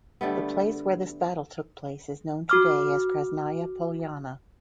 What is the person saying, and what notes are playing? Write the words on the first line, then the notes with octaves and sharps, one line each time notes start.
The place where this battle took place is known today as Krasnaya Polyana.
D3 G3 A3 B3
F#4 D6 F6